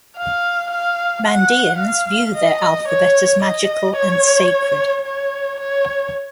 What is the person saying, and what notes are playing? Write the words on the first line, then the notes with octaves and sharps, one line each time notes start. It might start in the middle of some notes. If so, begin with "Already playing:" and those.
Mandaeans view their alphabet as magical and sacred.
F5
F5
F#5
F5
D#5
C#5
D#5
C#5
C#5
C#5